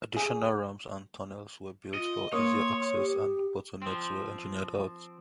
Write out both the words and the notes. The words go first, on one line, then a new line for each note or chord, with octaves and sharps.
Additional ramps and tunnels were built for easier access, and bottlenecks were engineered out.
G#4
F4 D#5
A#3 C#5 C6 D#6
G4
F3 C4